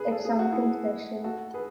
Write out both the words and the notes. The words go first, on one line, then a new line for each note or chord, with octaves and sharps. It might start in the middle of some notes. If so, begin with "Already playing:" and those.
It's something special.
Already playing: G#4 B4
A4
G#4
F#4
E4 G#4
F#4 A4
G#4 B4